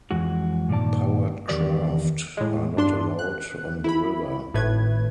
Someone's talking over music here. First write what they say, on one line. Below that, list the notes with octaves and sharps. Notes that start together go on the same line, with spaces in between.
Powered craft are not allowed on the river.
F2 E3 G#3 F#4
G2 A#2 D#3 D5 A5
E2 D#3 G4 A#4 D5
A2 G#3
G2 D4 C6
F#6
E4 B5
G#1 A2 A3 B4 G#6